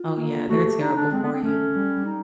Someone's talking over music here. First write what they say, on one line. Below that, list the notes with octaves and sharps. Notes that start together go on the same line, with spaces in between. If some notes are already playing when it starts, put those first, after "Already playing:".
Oh yeah, they're terrible for you.
Already playing: F4
A#3
A3 F#4
G4
D#4
D4
G#3 C4
B3
C4
A3 C#4
G3
D#4